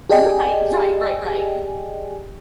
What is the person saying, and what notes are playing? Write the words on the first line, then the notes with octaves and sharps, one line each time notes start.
Right, right, right, right.
G4 G#4 D5 D#5 G5 G#5